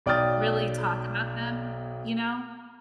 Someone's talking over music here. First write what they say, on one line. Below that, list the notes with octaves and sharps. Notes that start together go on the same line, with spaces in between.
really talk about them, you know?
B1 D5 G5 D#6 F6 A6